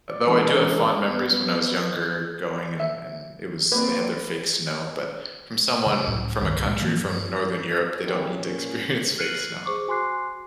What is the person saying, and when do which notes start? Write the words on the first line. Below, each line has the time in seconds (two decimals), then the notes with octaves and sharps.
Though, I do have fond memories when I was younger, going and and it was they had their fake snow, but, from someone from a country from Northern Europe, they don't need to experience fake snow,
0.09 D5
0.27 E3 G#3 C#4 D4 A4 A#4
1.08 B3
2.80 E5
3.72 A#3 C4 B4 D5
5.86 C#3
6.07 C#2 A2
6.42 C2 G2 D#3
6.66 A2 G#3
6.82 E3 F3 A#3
7.04 G2
8.06 E3 G3 G#3 A#3 C4 C#4
8.34 A#2 C#4
9.18 F6 F#6 C7 C#7 D#7 F#7
9.66 G#4 C5 C#6 D6
9.88 F#4 G#5 C6 D6 F#6 C7